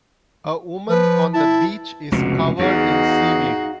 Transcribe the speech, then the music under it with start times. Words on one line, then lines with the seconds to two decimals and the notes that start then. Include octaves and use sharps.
A woman on the beach is covered in seaweed.
0.89 F3 B4
1.34 E4 A5
2.12 F1 C#2 B2 F#4
2.59 E2 D#4 F#4 G#4 F5